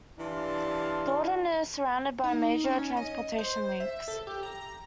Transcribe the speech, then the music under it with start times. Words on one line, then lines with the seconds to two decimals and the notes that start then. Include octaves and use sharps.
Thorndon is surrounded by major transportation links.
0.19 E3 D4 G4 F5 A5 C6
2.24 D#4
2.64 C#4
2.97 D#5
3.38 C5
3.80 E5
4.08 A4
4.27 G4
4.43 A#5